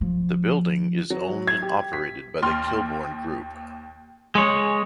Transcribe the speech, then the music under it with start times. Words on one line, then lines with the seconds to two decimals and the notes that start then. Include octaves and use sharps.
The building is owned and operated by the Kilbourne Group.
0.01 F3
1.10 F#3
1.47 G#6
1.62 G4
1.93 B6
2.42 D#2 C6 F6
4.35 G#3 C#5 G#5 F#7